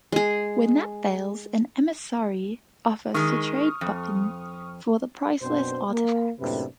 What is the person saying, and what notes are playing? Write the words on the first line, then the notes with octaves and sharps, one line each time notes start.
When that fails, an emissary offers to trade Barton for the priceless artifacts.
G#3 G#4
D#3 G#3 C#6 D#6 F6
F2
F#2 B2 C4 D4 C5
A#3
F#2 A2 C3 A#3 D4 B4